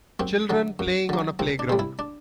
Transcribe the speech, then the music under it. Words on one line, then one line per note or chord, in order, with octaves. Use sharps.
Children playing on a playground.
F#2 C4
D3 F#3
F#2
D3 F#3
C2 C4
D4
C3 G3
E4
D4